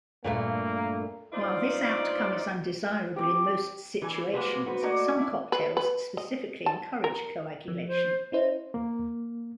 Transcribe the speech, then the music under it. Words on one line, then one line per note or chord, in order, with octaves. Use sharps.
While this outcome is undesirable in most situations, some cocktails specifically encourage coagulation.
G2 A#2 A3 A#3
G2 D#4 F4 C5 D5
C4 G4
E3 G#5
G#3 A#3 F#4 G#4 B4 C5
F#4 B4 C5
A3 A#3 F#4 D5 D#5
D4 E4
B4
B4
D#5
A5
A#4
F3
C5
C#4 E4 C5 D#5
A#3